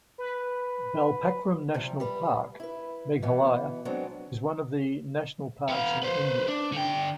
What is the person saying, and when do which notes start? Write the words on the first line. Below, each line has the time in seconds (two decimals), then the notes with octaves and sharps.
Balpakram National Park, Meghalaya is one of the national parks in India.
0.18 B4
1.74 C3 F3 G3
2.00 G3 B4
2.60 E4 B4
3.22 B2 E3 B3
3.85 F#3 G#3 B3 C4 D4 A4
5.69 B3 F5
6.03 B4 C5
6.48 D4
6.73 D3 G5